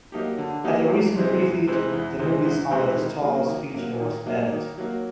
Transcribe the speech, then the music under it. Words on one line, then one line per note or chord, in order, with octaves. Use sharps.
At a recent refit, the "Movies under the Stars" feature was added.
F#3 A#3 D#4 G4
D3
F#3 A#3 D#4 G4
E2
C3 E3 G#3 C4
E2
C3 E3 G#3 C4
E2
C3 E3 G#3 C4
E2
C3 E3 G#3 C4
D#3
F#3 A#3
D#3
F#3 A#3
D#3
F#3 A#3
D#3
F#3 A#3